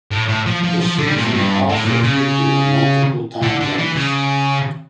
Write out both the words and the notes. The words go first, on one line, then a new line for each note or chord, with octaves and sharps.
The season also features multiple time jumps.
A2
A2
F3
F3
F3
D3
G3
A#2
A2
G2
A2
A#2
C#3
D3
D3
E3
C#3